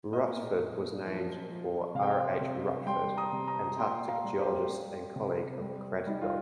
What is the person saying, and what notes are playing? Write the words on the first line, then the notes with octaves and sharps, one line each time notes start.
Rutford was named for R. H. Rutford, Antarctic geologist and colleague of Craddock.
A#2 A#4 D#5
A#2
F3
F3
C3 F5
G5
C5 F5
C3
G3 G5 C6
A#5 D#6
C3
A#5 D#6
A#2 G5 C6
F5 A#5
G3
G4 C5
G3
C3
G3
G3 D#4
F4